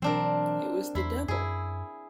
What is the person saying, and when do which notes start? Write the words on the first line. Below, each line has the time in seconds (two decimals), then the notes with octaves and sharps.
It was the devil!
0.02 B2 E3 F#3 C4 D4 A#4
0.95 E2 E4 B5 C6
1.28 F#2 E4 G#4